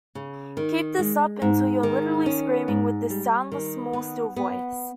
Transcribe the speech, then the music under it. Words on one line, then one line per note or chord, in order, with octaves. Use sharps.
Keep this up until you are literally screaming with this soundless small still voice.
C#3
D#3
G#3
G#2
D#3
C#4
G#2
G3
D#3
B3
B3